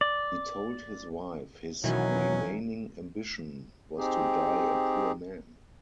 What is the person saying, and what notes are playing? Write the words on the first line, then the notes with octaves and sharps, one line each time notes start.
He told his wife his remaining ambition was to die a poor man.
D5
B2 D#3 E3 F#3 C#4
C4 D#4 G4 G#4